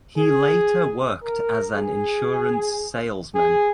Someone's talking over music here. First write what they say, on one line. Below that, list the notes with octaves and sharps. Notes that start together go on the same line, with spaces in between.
He later worked as an insurance salesman.
G#4
A#4
G#4
G#4